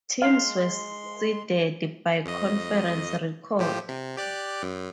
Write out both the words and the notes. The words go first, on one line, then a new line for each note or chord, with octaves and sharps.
Teams were seeded by conference record.
G#3 F5 C6
F2 D#5
A2 F3 G4
C3
G4 D5 F#6
F#2